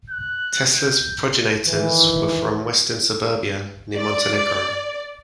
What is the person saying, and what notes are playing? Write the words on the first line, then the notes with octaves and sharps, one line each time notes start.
Tesla's progenitors were from western Serbia, near Montenegro.
F#6
G6
D#3 E3
D5